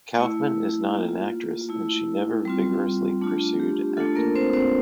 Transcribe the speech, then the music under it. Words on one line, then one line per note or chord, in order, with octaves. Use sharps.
Kaufman is not an actress and she never vigorously pursued acting.
A3 E4
A#3 F4
A3 E4
G3 C4 F4
A3 D4 F4
G4
A3 D4 F4 A4
A#3 A#4
C4 C5
C4 C5